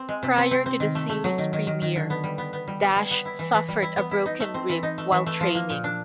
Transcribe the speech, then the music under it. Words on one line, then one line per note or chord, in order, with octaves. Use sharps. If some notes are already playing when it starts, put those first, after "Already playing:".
Prior to the series premiere, Dash suffered a broken rib while training.
Already playing: C4
G#3
C3
C4
C4
C4
D#3
A3
A3
F#3
D#3
D#3
D#3
D#3
D3
B3
G3
B3
B3
G3
B3
G3
B3
E4
E3
E3
G3
E4
B3
E4
D#4
A3
C4
E3
D#4
A3
E3
A3
F3
A#3
A#2
D4